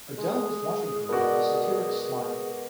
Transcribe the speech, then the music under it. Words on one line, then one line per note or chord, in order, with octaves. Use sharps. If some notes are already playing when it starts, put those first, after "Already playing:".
Adele was watching her with a satiric smile.
G#3 G#4
B2 F#4 A#4 D5